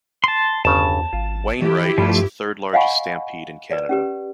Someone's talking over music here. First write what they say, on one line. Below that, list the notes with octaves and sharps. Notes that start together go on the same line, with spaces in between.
Wainwright has the third-largest stampede in Canada.
A5 C6
G1 E2 C#3 A5
G#1 F4
E3 E4 G4
G2 F3 G3 A3
D#5 F5 F#5 G#5 B5 C#6
B4 D5
C#4 G4 B4